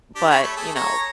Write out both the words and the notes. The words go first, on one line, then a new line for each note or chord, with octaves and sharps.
but, you know
D4 G4
C#5 B5
A3
G#4 A4
C#5 A#5